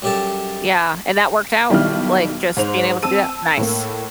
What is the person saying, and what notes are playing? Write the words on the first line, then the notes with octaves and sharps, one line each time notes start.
Yeah, and that worked out, like, just being able to do that. Nice.
F#2 G3 C#4 G4 A4 A5
B1 D#3 G3 E4 F6
G#2 C5 F7
C4 A5 E6 D#7
A2 A#3